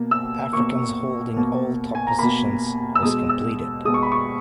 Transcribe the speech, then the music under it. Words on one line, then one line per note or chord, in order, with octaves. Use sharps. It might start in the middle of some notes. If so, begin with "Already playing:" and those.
Africans holding all top positions, was completed.
Already playing: B2 A#3
E6
B2 A#3 C#6
B2 A#3
G#5
A#5
B2 A#3 B5
E6
B2 G#3 D#6
E6
B2 G#3 D#6
C#6
B5
C#6